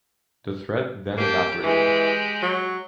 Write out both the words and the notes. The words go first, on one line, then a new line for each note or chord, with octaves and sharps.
The threat then evaporated.
A#3 G4 A5
E3 G#3 G4
F#3